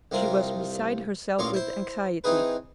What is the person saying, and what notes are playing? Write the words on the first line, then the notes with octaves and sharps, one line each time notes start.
She was beside herself with anxiety.
C2 G2 C3 F4 A#4
A1 A#2 F4 C#5 C6 D6
E4 C5
E3 C4 D#4 G#4 B4